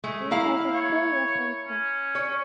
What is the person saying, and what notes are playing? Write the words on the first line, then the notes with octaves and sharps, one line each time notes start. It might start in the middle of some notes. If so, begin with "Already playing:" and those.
It has a stereocenter.
G#3 A3
A#3 E4 F5
C#5
C#4
C#5